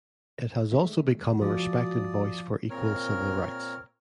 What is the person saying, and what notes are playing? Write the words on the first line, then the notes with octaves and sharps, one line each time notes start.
It has also become a respected voice for equal civil rights.
D#3 G#3 A3 E5
F3 F#4 D5 D#6
A#2 C4 A#4 C#5 F6